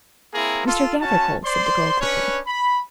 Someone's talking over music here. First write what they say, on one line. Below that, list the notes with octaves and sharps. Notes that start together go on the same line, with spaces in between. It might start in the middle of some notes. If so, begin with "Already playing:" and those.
"Mr. Gathercole," said the girl quickly.
A#3 C4 E4 G#4 A#5
F4 A4
C#4 F#4 A5
C5 D5 C6
C#4 D4 B4 C#5
B5